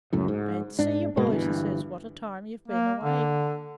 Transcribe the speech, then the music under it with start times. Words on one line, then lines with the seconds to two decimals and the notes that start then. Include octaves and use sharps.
'Glad to see you, boys,' he says; 'what a time you've been away!
0.13 C#2 F#2 A2
0.28 G#2
0.79 G#2 D4
1.17 G#2 B2 G#3 A#3
1.30 G1 G2 E3
2.68 A#3
3.03 D3